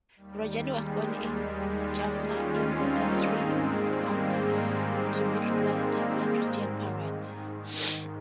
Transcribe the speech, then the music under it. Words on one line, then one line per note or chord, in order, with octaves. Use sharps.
Rajani was born in Jaffna, in northern Sri Lanka, to middle-class Tamil Christian parents.
D#2 D#3 G3
G#3
G3
G3
G#3
C#4 F4
C4 D#4
A#3 C#4
G#2 D#3 G#3 C4
G3 A#3
G3
G3
G#2 D#3